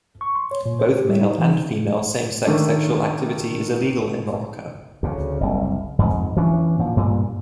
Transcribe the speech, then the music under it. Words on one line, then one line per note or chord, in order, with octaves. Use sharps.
Both male and female same-sex sexual activity is illegal in Morocco.
C#6
C6
C#5
A#2
C5
G4
G3
D#4
E3
D#3 A3 D4
D2 C#3
F#1 C2
F2 G#2
E3 C#4 D4
A#2 F3
G2 A#2